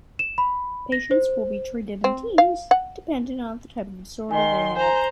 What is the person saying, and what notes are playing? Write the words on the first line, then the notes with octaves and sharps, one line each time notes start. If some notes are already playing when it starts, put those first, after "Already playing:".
Patients will be treated in teams, depending on the type of disorder they have.
E7
B5
A#6
C5
C4
F5
F#5
D#3 D#5 G#5 C6
C5 G#5 A#5